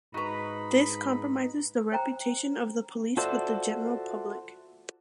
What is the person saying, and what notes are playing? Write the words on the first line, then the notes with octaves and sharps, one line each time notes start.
This compromises the reputation of the police with the general public.
G#2 D#4 F#4 B4 A#5 B5
C5 G5 A#5
F4 F#4 A4 C5 D5 E5